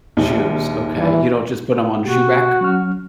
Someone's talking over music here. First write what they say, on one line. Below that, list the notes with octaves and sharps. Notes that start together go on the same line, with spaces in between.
Shoes, okay, you don't just put 'em on shoe rack?
A#1 D#2 D#3
E3
B2 A#3 F#4 G4
F#3 C#4 F6